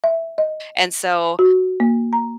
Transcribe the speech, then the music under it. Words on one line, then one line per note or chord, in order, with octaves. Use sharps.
and so,
E5
D#5
F#4
A#3
A#5